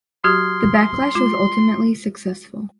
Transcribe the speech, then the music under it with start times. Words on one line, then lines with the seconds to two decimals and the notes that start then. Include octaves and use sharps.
The backlash was ultimately successful.
0.24 F#3 F#4 G4 C6 D#6 F6 G#6
1.15 G#3 F4